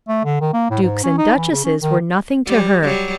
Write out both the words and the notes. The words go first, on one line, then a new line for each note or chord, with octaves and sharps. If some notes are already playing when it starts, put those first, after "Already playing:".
Dukes and duchesses were nothing to her.
A3
D3
D#3
A#3
A2
G#2
C#4
D#4
E3
C#3
C#4
D#3
G3
F#3 G3